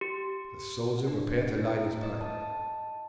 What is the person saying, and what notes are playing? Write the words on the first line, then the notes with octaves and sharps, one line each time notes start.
The soldier prepared to light his pipe.
G4
D4
E4
D#5
A5